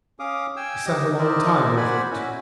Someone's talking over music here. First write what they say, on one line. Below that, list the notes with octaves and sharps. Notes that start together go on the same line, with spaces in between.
He sat a long time over it.
C#4 F5 D6 D#6
G5 G#5 E6
G4 D#5
E4 A#4 C5 D5 D#5
C5 D5 F#5 G#5 B5
C#4 E4 F#4